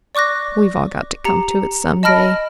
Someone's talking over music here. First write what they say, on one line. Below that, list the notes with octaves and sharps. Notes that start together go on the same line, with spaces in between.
We've all got to come to it some day.
D5 C#6 D6 F#6 A#6
G4 A#5 C#7
D#5 A5 B5 F6 A#6 D7